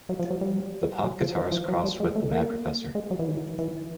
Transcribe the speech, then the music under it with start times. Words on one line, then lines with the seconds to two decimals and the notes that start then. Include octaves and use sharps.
The pop guitarist crossed with the mad professor.
0.09 F#3
0.19 F3
0.31 F#3
0.41 G3
1.04 F#3
1.21 F3
1.37 E3
1.52 F3
1.68 F#3
1.84 G3
2.00 G#3
2.15 A3
2.31 A#3
2.95 G#3
3.11 F#3
3.19 E3
3.28 D#3
3.59 E3